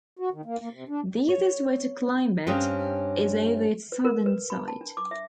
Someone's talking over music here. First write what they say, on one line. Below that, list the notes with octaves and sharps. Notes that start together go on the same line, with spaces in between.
The easiest way to climb it is over its southern side.
F#4
D#3
A#3
A#3
C3
D4
C#5
G2 C4 C#4 G4 D#5 F5
B4
A#4
B4
B5
A5
D4
D6
E5